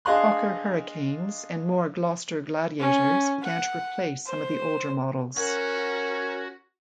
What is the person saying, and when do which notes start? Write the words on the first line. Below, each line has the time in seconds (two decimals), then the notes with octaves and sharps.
Hawker Hurricanes and more Gloster Gladiators began to replace some of the older models.
0.05 D4 G#4 D#5 F5 C6 F#6
2.80 C#4
3.42 F#5
4.26 C5
5.37 C#4 F#4 A#4 F#5